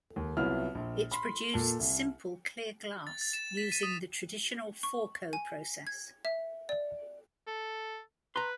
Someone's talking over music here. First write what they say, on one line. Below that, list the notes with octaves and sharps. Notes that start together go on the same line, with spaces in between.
It produced simple clear glass using the traditional Fourcault Process.
D#2
C2 F#3 B3 E4 F4 F6
A#1
B5 C6
A#2 A4
C2
A6
A6
E7
B6
D#7
D#6
C#6
G#5
G#6
E5
D5
A4
B4 A#5 C6